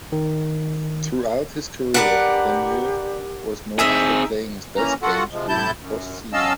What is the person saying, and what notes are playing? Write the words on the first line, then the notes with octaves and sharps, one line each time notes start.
Throughout his career, Lemieux was noted for playing his best games during the postseason.
D#3
D4 G4 A#4 B4 D5 F#5
C4 D#4 G#4 E5 G#5
E3 A#3 C#4 A#5
F4 F#4 A4 F#5
C3 F3 G#3
A2 C3 E4 A5 G6
F#2
F#3 C#4 D#5 F5 A5 E6